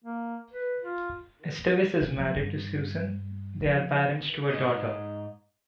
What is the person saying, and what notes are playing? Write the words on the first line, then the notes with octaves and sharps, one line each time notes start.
Esteves is married to Susan; they are parents to a daughter.
A#3
B4
F4
B2 C#4
F3 F#3
G2
C#3 F3
G#2 D#5